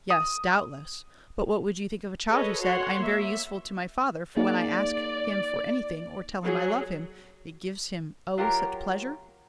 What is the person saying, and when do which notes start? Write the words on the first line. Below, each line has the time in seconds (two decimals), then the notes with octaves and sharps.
"Yes, doubtless; but what would you think of a child who said, 'I am very useful to my father, for when I ask him for anything, or tell him I love him, it gives him--oh, such pleasure!'?"
0.11 D#6
2.30 G#4 A4 B4 C#5 D#5
2.61 F#4 C#5 F#5 C6
3.01 A#3 E5
4.37 A#3 D#4 G#4 D5
6.42 F#3 G#4
8.38 F#3 F4 G4 A#4 C#5